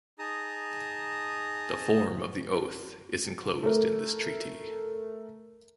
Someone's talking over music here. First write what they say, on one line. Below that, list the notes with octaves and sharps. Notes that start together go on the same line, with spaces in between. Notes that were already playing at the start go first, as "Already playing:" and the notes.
The form of the oath is enclosed in this Treaty.
D#4 G#4 A5 A#5 D#6
A3 A#4